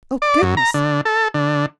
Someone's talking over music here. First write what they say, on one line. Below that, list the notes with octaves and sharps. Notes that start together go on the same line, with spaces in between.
Oh, goodness!
D5
F#2
A#5
D3
A4
D3